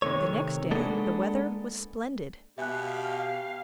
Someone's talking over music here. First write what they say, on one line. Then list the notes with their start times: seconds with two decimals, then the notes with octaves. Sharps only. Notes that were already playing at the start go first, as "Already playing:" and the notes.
The next day the weather was splendid.
0.02 C3 D#3 A3 C#5
0.71 G#3 A#3 B3 D4 A4
2.58 B2 G4 E5 F5 G#5 F#6